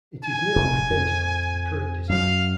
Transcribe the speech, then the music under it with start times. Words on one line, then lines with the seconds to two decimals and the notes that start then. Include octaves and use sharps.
It is nearly identical to the current design.
0.24 G#5
0.56 F1 C3
0.90 F2
2.09 F#2 F#3 F5